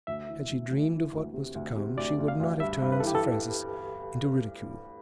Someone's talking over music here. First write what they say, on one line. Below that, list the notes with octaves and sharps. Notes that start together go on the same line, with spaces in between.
Had she dreamed of what was to come she would not have turned Sir Francis into ridicule.
D2 E5
E3
D2
D2
E3
D2
C3
D2
C3
D2 D5
D2
F5
D2
G2 E5
G2
B4
A4
E3 G4
A4
E3